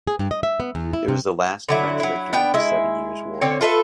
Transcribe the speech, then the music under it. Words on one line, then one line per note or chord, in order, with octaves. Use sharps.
It was the last French victory in the Seven Years' War.
G#4
G2
D#5
E5
B3
E2
E4
C3
D3 F#3 E4
F#3 E4
B3 D4 G5
G#3 E4
D3 C4 C#5
F4 A4 B4 E5